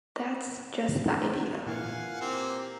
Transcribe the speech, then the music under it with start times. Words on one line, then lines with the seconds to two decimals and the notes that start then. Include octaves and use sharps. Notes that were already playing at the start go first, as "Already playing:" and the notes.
That's just the idea.
1.34 F#4
1.67 A#2 E3 F5 F#5 G#5
2.21 A#3 C4 G4